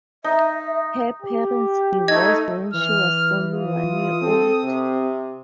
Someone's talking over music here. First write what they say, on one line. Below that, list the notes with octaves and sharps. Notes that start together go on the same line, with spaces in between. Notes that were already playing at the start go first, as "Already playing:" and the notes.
Her parents divorced when she was only one year old.
D#4 E5
G4
A3 D#4 D#5 G#6
E3 F6
F4 D#6
C4 A4
C3